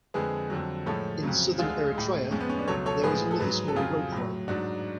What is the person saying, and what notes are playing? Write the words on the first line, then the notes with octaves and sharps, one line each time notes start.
In southern Eritrea there was another small ropeway.
F2 D3 G#3 G#4 B4
F2 D3 F#3
A2 F3 G#3 A4 C#5
F2 C#3 F#3
D2 D3 G#3 F4 G#4
A2 G#3
F2 F3 G#3 C#4
B3
C#4
B3 D4
C#2 B2 F#3 A4 C#5
A4 C#5
A2 F3 G#3 G#4 B4
A4
G#2 F#3 G#4 B4
A4
F2 C#3 F#3 F4 G#4
A2 F#3
G#2 F#3 D4 F#4